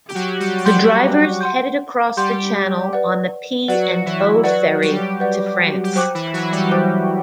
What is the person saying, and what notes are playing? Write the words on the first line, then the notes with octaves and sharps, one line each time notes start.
The drivers headed across the Channel on the P and O Ferry to France.
G4
F#3 F#4
G3 G4
G4
F#3 F#4 F#5 C6 G6
F#5 C6 G6
G3 G4 F#5 C6 G6
B4 D5 F#5
F#3 F#4 B4 D5 F#5
E3 E4
F#3 F#4 B4 D5 F#5
G3 G4
B4 D5 F#5
G4
F#3 F#4 C5 G5 D6 F#6
E3 E4
F#3 F#4
G3 G4
C5 G5 D6 F#6